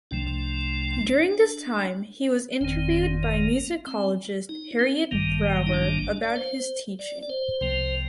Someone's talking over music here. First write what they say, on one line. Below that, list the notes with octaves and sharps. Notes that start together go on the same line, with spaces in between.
During this time he was interviewed by musicologist Harriette Brower about his teaching.
C2 C3 F3 A3 D4
G1 F2 D#3 C4
A#3
C4
D#4
C4
A1 G2 D#3 G3 A#3
D#4
D4
D5
C5
D5
D5
C5
C2 C3 F3 A#3